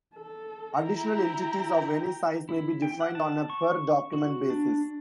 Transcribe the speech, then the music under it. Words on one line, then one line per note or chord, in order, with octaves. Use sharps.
Additional entities of any size may be defined on a per-document basis.
A4
E4 G5 A#5
E4
G5
F#5
A5
C#6
F#4
D4